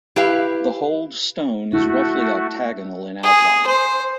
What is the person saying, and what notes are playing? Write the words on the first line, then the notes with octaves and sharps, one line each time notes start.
The holed stone is roughly octagonal in outline.
E4 G4 B4 F5
A3 E4 F#4
G#4
C5